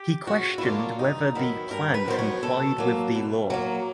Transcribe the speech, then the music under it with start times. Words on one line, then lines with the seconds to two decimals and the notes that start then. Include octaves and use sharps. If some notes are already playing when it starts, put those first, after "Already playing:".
He questioned whether the plan complied with the law.
Already playing: G4
0.27 C#3 F#4
0.58 E4
0.63 F#3 A#3 D4 F4
0.98 G2 D#4
1.34 D#3 F#3 B3 E4
1.71 G2 A#4
1.94 B4
2.06 D#3 F#3 B3 C5
2.19 C#5
2.42 B2 A4
2.78 F#3 A#3
3.15 B2
3.50 F#3 A#3